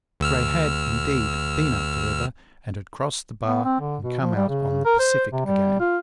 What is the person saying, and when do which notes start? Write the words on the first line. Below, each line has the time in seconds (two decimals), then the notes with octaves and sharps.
Gray had, indeed, been up the river, and had crossed the bar and come out on the Pacific again.
0.20 D2 E6 F6
3.45 B3
3.64 C4
3.80 D3
4.02 B2
4.21 F3
4.35 G3
4.48 C#3
4.85 A#4
4.99 C5
5.32 C3
5.46 G3
5.80 F4